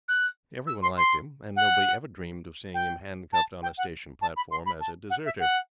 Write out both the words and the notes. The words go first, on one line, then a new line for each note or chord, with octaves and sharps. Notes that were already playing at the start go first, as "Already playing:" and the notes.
Everyone liked him; and nobody ever dreamed of seeing him handcuffed on a station platform as a deserter.
F#6
E6
C6
C6
F#5
G5
A5
G5
F#5
A5
B5
C6
B5
A5
F#5
E5
F#5